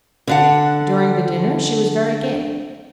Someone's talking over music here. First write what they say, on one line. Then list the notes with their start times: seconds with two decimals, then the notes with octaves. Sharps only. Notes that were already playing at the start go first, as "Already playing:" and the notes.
During the dinner she was very gay.
0.27 D3 D4 F#5